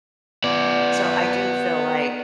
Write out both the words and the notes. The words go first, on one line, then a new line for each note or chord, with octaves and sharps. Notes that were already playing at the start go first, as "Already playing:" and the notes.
So, I do feel like
B3 D5